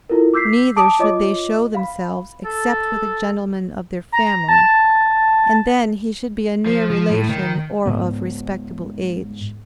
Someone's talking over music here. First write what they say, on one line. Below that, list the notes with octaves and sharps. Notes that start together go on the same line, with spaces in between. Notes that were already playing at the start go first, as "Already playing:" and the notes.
Neither should they show themselves except with a gentleman of their family, and then he should be a near relation or of respectable age.
E4 F4 A4 A#4
D6 E6 G6 B6 C7
A5 D6 D#6 D7
F4 C#5 D#5 D6
F5 B5
A4
A#5
A5
F3
F3
A2
D#3
G#2 B3